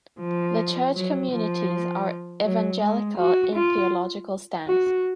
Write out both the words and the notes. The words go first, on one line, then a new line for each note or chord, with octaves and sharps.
The church communities are evangelical in theological stance.
F3
F#3
F3
F#3
G#3
F#4
F4
F#4